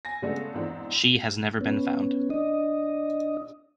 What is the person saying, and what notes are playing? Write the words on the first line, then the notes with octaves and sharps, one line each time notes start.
She has never been found.
G#5 A#6
C#3 G#3 A3 B3 D4 A4
E2 G#2 C4 D4 E4
B3 C#4
D4 D#5